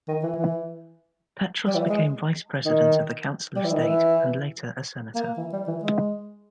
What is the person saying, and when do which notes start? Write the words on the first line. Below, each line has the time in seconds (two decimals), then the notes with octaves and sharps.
Petros became vice-president of the Council of State, and later a senator.
0.08 D#3
0.23 E3
0.38 E3
1.67 G3
1.75 E3
1.89 G#3
2.66 D#3
3.56 G3
3.64 E3
3.72 D#3
3.81 E3
5.15 A#3
5.37 E3
5.52 G3
5.67 E3
5.82 G#3